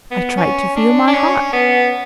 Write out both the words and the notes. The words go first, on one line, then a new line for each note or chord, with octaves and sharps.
I tried to feel my heart.
B3
C#4
D4
D4
C#4
B3